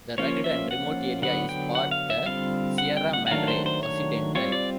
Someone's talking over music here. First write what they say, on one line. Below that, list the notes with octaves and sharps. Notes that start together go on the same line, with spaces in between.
The rugged and remote area is part the Sierra Madre Occidental.
F3 A#3 C#4 F4 C#5
E5
F#5
D3 F#3 B3 F#5
G5
F#5
F5
E5
D3 G3 C4 F4 F5
F#5
G5
F#5
F#5
D#3 F#3 A3 D4 F5
C5
C5
C#5
G3 C4 F4 C#5
D5